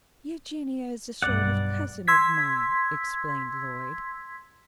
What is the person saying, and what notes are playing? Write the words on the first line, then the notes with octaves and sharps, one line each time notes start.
"Eugenia is a sort of cousin of mine," explained Lloyd.
B1 G2 D5 F#5
C6 E6 G#6 B6